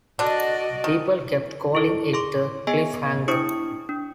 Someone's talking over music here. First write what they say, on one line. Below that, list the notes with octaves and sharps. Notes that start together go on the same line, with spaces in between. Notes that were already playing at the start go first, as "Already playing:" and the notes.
People kept calling it a cliffhanger.
D3 D4 F#4 D5 D#5
D#3
E4 A4
G#4 C6 D6
B3 G#4 D#5 G#5
D4 E4 C#6 D#6 C#7
D4